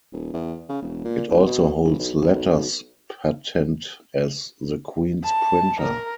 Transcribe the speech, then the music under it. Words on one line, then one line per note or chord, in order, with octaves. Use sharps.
It also holds letters patent as the Queen's Printer.
D#1
E2
C#3
E1
A#2
D1
B2
G1
B1
F#1
B1
B1
A5
A#4